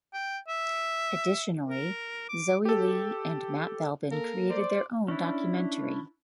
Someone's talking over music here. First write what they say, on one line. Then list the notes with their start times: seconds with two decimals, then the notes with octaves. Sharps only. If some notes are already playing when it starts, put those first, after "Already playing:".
Additionally Zoey Lee and Matt Belbin created their own documentary.
0.13 G5
0.48 E5
1.69 A#4
2.29 D6
2.65 G4 A4
4.11 A#3 A4 A#4
4.50 C5 D5
5.08 C#4 D4 E4